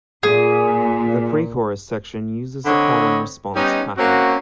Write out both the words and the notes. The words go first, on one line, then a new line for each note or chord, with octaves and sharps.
The pre-chorus section uses a call and response pattern.
A#2 G#4
D3 C4 C#5 D#5 B5
G3 B3 C#4 D#4
A#3 C4 C#4 F#4